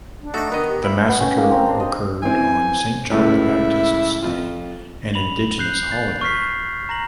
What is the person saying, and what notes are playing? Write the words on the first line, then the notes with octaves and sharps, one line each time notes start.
The massacre occurred on Saint John the Baptist's Day, an indigenous holiday.
D4
A3 D#4 F#4 A4 D#5
D#3 B3 D#5
G4
E4 B5
B3
C#4 G5
A#3 D#5 E6
C4 A#5
D4 C6
D#5
E3 C4 G#5
C#2 A2 E4
F2 F4
B5 F7 F#7
F#6 G6 C7
A6
C#6 F6 G6 B6 C7
A#5 A#6 F#7